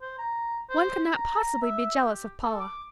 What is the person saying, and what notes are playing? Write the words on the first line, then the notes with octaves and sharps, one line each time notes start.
One could not possibly be jealous of Paula.
C5
A#5
C5
A#5
E5
G4
A4
D6